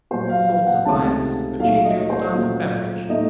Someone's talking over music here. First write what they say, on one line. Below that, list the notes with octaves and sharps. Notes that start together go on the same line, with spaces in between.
All sorts of viands, but chiefly all styles of beverage.
A#2 F#3 A#3 C5
F5
F5
F#5
C#2 C3 D#3 A3 C#4 A5
A#2 F#3 A3 D#4 F5
D#5
C5
A#2 F#3 A3 C#4
A2 A3 D#4 D#5